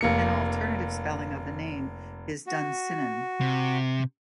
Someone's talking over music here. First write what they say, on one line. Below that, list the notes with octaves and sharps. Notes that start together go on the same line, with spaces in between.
An alternative spelling of the name is Dunsinnan.
F1 A#3 C#7
F#4
C3